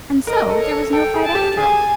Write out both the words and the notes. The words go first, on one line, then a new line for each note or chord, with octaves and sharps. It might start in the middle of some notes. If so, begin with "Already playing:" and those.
And so there was no fight after all!
A#4 D#5
A4
C#5
A4
A4 G5
G#4
A5
G4
G#4 G#5